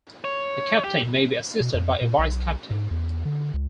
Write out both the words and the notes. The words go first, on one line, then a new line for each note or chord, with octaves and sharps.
The captain may be assisted by a vice-captain.
C#5
G4
B2
F2
A#2
B1
G#2
E2
D3
C#2